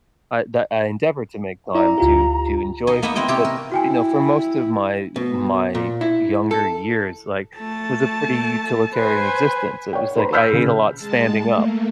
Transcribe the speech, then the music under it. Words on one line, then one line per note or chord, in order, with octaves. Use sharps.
I that I endeavor to make time to to enjoy food, but, you know, for most of my my younger years, like, was a pretty utilitarian existence, it was like, I ate a lot standing up,
E4 D5 E5 A#5
D2 F4 G4
D#4 G#5
A#3 B3 D#4 B4 E5 F#5
A#3 C4 E4 D#5 G5
C3 C4 G4 C#5
A#4
E4 F#4 G5 G#5
B2
A#2
E4
A4
A3 A5
B4 C5 G#5
C#5 G5
B4 C5 A#5 B5
B5 E6 F6 G6 B6
C#3
G#3 A5
A3 A#3